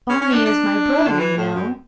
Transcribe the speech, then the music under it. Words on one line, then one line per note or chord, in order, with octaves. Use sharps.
"Barney is my brother, you know."
C#4
C#4
D4
D4
D3
E3
A2
F#2